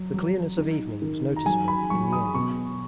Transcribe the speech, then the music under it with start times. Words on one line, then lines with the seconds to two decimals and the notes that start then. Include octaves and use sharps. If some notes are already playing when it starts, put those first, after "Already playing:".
The clearness of evening was noticeable in the air.
Already playing: F#3
0.14 F#3
0.58 D#4
1.02 D#3
1.36 A#5
1.46 F#3 G#5
1.68 B5
1.90 F#3 C#6
2.12 D#6
2.35 B2 C#6